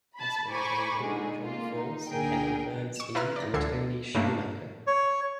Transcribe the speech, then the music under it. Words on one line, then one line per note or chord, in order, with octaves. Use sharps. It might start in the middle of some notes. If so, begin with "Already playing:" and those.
Past winners have included John Force, Kenny Bernstein, and Tony Schumacher.
A5 B5
C5 G#5 A#5 B5 C#6 D6
D3 G#3 D#4 G#4
A#3 F4
D#4
C#2 A#2 D3 G#4 A#4 G5
C#6 E7
E4 F4 B4 E5 A#5 F6
D5 A#6
D2 A#2 D3 A4 G#6 C7
G2 C#3 A3 A#3 D4
C#5